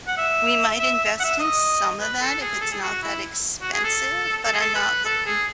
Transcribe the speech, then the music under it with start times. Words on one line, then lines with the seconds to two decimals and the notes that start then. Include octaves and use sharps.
We might invest in some of that if it's not that expensive, but I'm not looking
0.07 F#5
0.17 E5
0.79 E5
0.94 E5
1.19 F#5
1.24 E5
1.39 D#5
2.01 B4
2.21 A4
2.41 G#4
2.61 A4
2.71 G#4
2.82 F#4
3.03 E4
3.61 F#4
3.73 G#4
3.84 A4
4.45 A4
4.53 G#4
4.60 A4
4.75 B4
5.05 A4
5.26 G#4